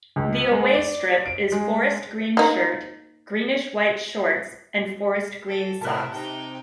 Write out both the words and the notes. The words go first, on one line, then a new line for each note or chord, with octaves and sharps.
The away strip is forest green shirt, greenish-white shorts, and forest green socks.
C#2
G#3
D5
D7
G#3
A#3 D#4
A4
A2 C3 A#4 B4 E5 A5 F#6
C3 D#4 G5